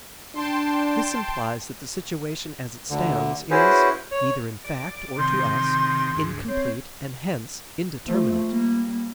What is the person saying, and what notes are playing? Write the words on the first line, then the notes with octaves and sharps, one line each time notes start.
This implies that the situation as it stands is, either in fact or to us, incomplete and hence indeterminate.
D4 G5 A5 C6
D2 D3
C#4 E4 F#4 G#4 B4 C5
C#5
D5
C3 D#3 G4 C6
D2 G#2
C4 C#5
F3 A3
G3 A#3